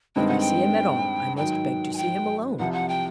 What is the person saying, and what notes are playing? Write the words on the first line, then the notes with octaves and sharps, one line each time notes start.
"If I see him at all, I must beg to see him alone."
G2 D#3 G#3 C4 G5
F#5
G5
G#2 D#3 F#3 G5
G#5
G5
C2 C3 F3 F#5
F#5
G5